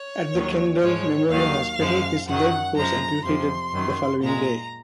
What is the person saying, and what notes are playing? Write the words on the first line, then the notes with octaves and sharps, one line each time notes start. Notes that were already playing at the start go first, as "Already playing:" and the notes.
At the Kendal Memorial Hospital, his leg was amputated the following day.
Already playing: C#5
D#2 D#3 F#3
G#2 F3 G#3 C#5
D#2 D#3 F#3 F5
F#2 F3 G#3
F#2 D#3 F#3 F#5
F#2 F3 G#3 A#5
F2 C3 F3 C6
F#2 D#3 F#3
A#2 G#3 A#5